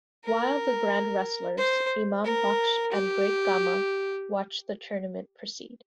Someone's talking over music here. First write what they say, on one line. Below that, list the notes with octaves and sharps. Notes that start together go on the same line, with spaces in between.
While the Grand Wrestlers, Imam Baksh and Great Gama watched the tournament proceed.
A#4
C5
A#4
G4